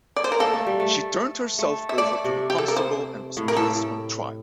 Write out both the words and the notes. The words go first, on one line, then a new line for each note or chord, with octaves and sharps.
She turned herself over to the constable and was placed on trial.
D5
C5
A#4
A#3 A4
A3
G3
A3
A3
E5
A3 D5
C3
G4
A4
A#4
C5
A2
A#4
A2 A4